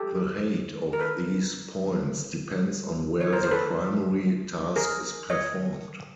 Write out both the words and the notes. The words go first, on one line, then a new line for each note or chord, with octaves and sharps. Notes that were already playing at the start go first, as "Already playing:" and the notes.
The height of these points depends on where the primary task is performed.
Already playing: G4 A4
A#4
A4 B4
C#5
A#4 C5
C5
A4 B4
G#4 A#4
C#5 D#5